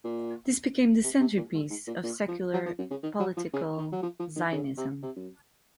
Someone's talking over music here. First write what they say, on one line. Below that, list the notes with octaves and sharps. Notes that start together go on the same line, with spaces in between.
This became the centerpiece of secular political Zionism.
A#2
C3
C3
A#2
G#2
G#2
A#2
A#2
F3
F#3
F3
F#2
C#3
D#3
F#3
F3
C#3
D#3
F#3
F3
F3
D#3
C#3
C3
C3
F#2